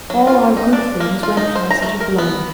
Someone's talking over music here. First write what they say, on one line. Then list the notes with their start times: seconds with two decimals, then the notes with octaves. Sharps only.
All our good things went from us at a blow.
0.10 F#3
0.27 F4
0.57 D#4
0.73 D4
1.00 A#3
1.23 F4
1.37 D#4
1.56 C5
1.71 A#5
1.82 A3
2.01 A#4
2.18 B3